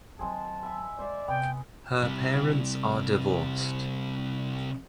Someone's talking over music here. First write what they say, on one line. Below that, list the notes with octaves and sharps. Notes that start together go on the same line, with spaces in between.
Her parents are divorced.
D#3 F#3 G#3 C4 G#4 A5
E5 B5 E6
G#3 C5 D5 E5
C3 B3 G5
C3 G3